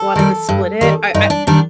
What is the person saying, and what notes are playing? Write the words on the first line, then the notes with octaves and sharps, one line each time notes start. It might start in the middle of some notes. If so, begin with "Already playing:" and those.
wanted to split it. I I
Already playing: A4
D#3 G3
G2
D#3 G3
G2 D#4
D4
D#3 G3 D4